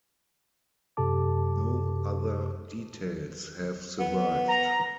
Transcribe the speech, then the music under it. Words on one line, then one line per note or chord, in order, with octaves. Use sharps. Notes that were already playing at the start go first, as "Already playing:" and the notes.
No other details have survived.
F#2 C3 G4 A4 A5 D6
B3
A#5